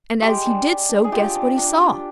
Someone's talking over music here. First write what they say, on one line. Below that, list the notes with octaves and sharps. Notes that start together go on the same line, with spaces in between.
And as he did so guess what he saw?
G#3 G4
D4
D4
D4
G#4
F4 G4
D4
D4
D4